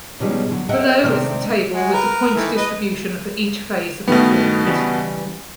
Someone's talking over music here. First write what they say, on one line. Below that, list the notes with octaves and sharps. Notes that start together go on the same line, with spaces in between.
Below is the table with the point distribution for each phase of the tournament.
B2 D#3 F3 G3 G#3 C#4
D3 F#3
A4 A#4 D#5 E5 F#5 G5
C3 D#3 A3 C4 D4
G#3 F#4
A#4 B4
D#3 E3 A3
B4 D#5
G2 B2 D#3 A3 B3
C#3 E3 G3